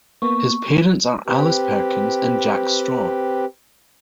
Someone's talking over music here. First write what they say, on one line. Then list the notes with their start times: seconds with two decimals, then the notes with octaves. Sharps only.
His parents are Alice Perkins and Jack Straw.
0.22 A#3 B3 C#6
1.27 C4 G4 B4